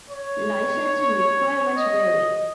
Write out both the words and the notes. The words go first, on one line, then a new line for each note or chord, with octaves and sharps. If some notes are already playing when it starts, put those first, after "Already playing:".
License requirements vary.
C#5
D#5